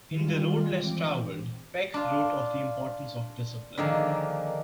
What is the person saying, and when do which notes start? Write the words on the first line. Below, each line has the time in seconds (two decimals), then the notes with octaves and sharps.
In "The Road Less Traveled", Peck wrote of the importance of discipline.
0.11 D#3 G3 G#3 F4
0.72 E3 C4 D6
1.94 D4 F4
3.78 D3 D#3 F3 A#3 G#4 A#4